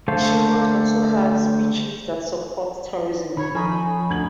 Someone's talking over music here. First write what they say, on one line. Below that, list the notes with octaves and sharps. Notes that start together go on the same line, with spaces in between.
Chimbote also has beaches that support tourism.
D3 A3 A4 C5 F5
D#3 C#5 B5
F3 C#4 D#4 A4 D#5 B5
D2 G#6 F#7